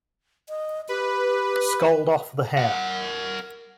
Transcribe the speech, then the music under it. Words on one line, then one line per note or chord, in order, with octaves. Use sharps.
Scald off the hair.
D#5
G4 B4
A#4 F#5